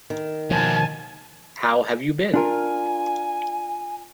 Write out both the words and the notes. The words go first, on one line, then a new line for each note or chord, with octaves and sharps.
How have you been?
D#3
D#2 B2 F3 G#5 A5
D4 F4 A#4 G#5